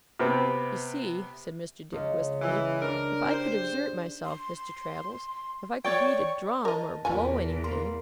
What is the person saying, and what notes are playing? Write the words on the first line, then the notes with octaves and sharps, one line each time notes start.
'You see,' said Mr. Dick, wistfully, 'if I could exert myself, Mr. Traddles--if I could beat a drum--or blow anything!'
C3 B3 C4
C#2
E3
D4 A#4
G4 C5
C6
C#5 D5 G5 C#6
A#4 D#5 A5
E2 A#2 G3 F4 G#5
A#3 C6